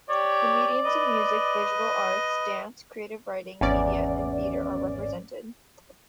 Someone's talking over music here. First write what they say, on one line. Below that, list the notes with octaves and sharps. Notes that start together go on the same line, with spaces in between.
The mediums of music, visual arts, dance, creative writing, media and theater are represented.
G4 C#5 D5
B4 D#5
G#1 E2 C#4 D5